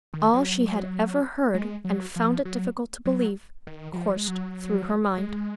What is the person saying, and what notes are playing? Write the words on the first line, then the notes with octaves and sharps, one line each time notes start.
All she had ever heard and found it difficult to believe, coursed through her mind.
D#3
F#3
G#3
F#3
F3
F#3
F#3
D#3
F#3
F3
G#3
F#3
G#3